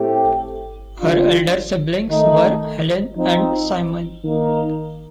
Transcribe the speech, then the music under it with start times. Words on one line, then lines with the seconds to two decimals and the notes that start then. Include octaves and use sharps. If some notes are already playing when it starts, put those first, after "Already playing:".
Her elder siblings were Helen and Simon.
Already playing: A2 A3 C4 G4
1.00 D3 G3 D4 F4
2.08 D#3 A3 D#4
3.16 F3 C4 D#4
4.24 D#3 A#3 D#4 A#4